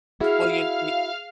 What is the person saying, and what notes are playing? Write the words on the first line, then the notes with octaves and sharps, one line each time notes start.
Well, you in i
E4 F#4 G#4 F5 F6